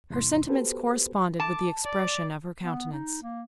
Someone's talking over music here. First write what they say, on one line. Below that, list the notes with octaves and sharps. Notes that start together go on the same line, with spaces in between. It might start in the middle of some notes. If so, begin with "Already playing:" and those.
Her sentiments corresponded with the expression of her countenance.
E2 G#2 C3 E3 C6
B3 F#4 G4 A4 B4 C5
A5 D6
D5
B3
D#4
A#3